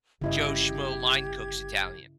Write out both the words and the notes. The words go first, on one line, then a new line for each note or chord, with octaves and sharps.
Joe Schmo line cook's Italian.
G1 C#3 E4 G4 D#5 G#6